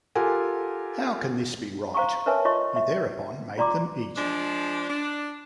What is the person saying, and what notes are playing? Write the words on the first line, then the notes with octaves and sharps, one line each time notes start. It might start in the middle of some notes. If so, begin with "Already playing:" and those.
How can this be right? He thereupon made them eat.
F4 G4 A4 A#4 F#5 G#5
C5 F5 A#5 C6 C#6
A#4 B4 C#5 E5 G#5 A5
F4 C#5 D#5 C6 C#6
E5
F4 D5 A#5 C6 D6
F3 G#3 D4
D4